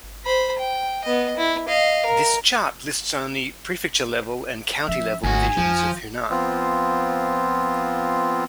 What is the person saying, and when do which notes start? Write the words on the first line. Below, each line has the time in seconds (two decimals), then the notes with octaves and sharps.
This chart lists only prefecture-level and county-level divisions of Hunan.
0.25 C5 B5
0.59 G5
1.04 B3 D#5
1.37 E4
1.68 D#5 F5
2.06 A#4
4.88 F3 C#4 E5
5.24 G#1 D2 F#4 G#5
5.57 F2 F3
6.31 F3 B3 C4 F4